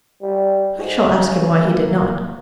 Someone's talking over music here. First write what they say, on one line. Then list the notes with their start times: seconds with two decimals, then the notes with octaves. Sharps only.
I shall ask him why he did not.
0.22 G3
0.77 G#2
1.10 C#3
1.61 A#3